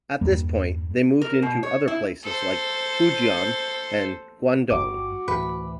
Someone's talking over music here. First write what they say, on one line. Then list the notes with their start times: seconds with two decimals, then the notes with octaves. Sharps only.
At this point they moved into other places like Fujian and Guangdong.
0.21 E2 G2 G3 A#3
1.21 A#4
1.42 B2
1.63 C#5
1.88 E4
2.24 A4 C5
4.71 G1 G2 G3 F#4 D6
5.28 D2 A2 E3 B4